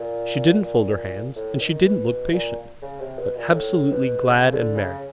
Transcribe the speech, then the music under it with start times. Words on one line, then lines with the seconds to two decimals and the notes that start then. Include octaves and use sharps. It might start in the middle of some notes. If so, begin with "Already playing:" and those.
She didn't fold her hands, and she didn't look patient, but absolutely glad and merry.
Already playing: A#2
0.63 A#2
1.36 A2
1.60 D#3
1.84 E3
2.09 B2
2.33 A#2
2.82 C#3
3.00 C3
3.18 B2
3.36 A#2
3.55 A2
3.91 B2
4.28 C#3
4.52 D3
4.76 C#3